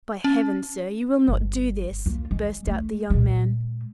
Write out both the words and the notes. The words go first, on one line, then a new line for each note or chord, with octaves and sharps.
"By Heaven, sir, you will not do this!" burst out the young man.
C#4
G1
A#3 F4
G#3
A3
A#2 G#3